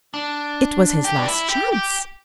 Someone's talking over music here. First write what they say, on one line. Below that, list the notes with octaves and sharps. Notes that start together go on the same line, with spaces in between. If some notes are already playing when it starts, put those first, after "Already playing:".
It was his last chance.
D4
G4
D4
E4
G4
G4